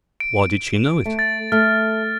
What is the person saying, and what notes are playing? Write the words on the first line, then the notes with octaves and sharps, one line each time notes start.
Why did she know it?
D7
A3
A6
A3 F6